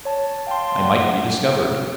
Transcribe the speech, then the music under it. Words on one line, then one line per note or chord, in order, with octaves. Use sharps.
I might be discovered.
C#5 A5
F5 G5 A5 C6
A3 F#5